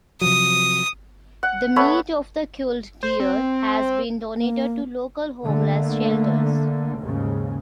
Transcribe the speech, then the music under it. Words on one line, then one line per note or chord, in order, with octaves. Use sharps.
The meat of the culled deer has been donated to local homeless shelters.
C3 F3 F#3 D#6
F#5
A3 B3 C#5 B5
C5
C4
A#3
D3 A3 A#3
D#2 G#2 C#3